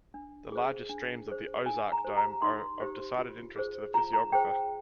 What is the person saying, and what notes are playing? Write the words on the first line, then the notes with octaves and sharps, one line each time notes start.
The larger streams of the Ozark dome are of decided interest to the physiographer.
D4
G#4 C5
D4
G#4 C5
D#4 G#5
A#5
G4 C5
A#5
D#4 C6
G4 C5
F4
G#4 C5
F4 A#5
A#5
G#4 C5 G5